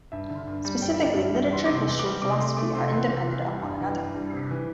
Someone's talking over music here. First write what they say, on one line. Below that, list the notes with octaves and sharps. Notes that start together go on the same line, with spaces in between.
Specifically, literature, history, philosophy are independent of one another.
G2 E5
D3
G2
G3
G2 G5
E5
D3
D5
G2 E5
G3
E2 C6
C3 D6
C6
E2
D6
G3
C3 D6
A3 C6
A3 D6
C3 C6
E2 C6
C3
E2
G3
G2
E3
G2
G3
C3
E3